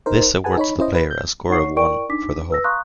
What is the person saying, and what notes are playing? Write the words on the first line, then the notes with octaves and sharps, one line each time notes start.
This awards the player a score of one for the hole.
D#4 A#4 C5
G#4 B4 F#5 G#5 A5
D#4 C#5 B5
C#4 E4 C5 D#5
B4
G6
D#4 C#5 F#5 C#6 C7
E4 A#4 D5 G5 C#6 D7
D4 D#4 D6 B6
B4 E6 A#6
F5 A#5 C6 C#6 D#6 F#6